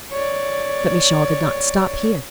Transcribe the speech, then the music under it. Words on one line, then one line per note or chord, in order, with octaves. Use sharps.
But Michal did not stop here.
C#5 D5